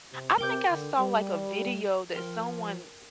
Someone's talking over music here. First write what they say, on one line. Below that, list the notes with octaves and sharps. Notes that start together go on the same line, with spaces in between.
I think I saw like, a video that someone
C3
C3 A#4 G5 D6 G6
D3
G3
F3 A#4 G5 C6 F6